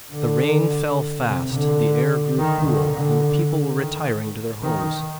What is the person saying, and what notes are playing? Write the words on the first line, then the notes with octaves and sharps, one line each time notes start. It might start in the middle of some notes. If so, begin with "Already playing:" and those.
The rain fell fast; the air grew cool; and the people were retiring to their homes.
D3
C3
D3
D#3
D3
D3
D#3
D#3